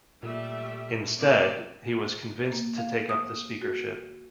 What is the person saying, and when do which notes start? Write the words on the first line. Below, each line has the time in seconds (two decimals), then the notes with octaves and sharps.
Instead, he was convinced to take up the Speakership.
0.23 A#2 G3 A3 E5
1.19 A#3 C4 D5
2.52 A#3
2.78 F5
3.09 D#6
3.62 F#4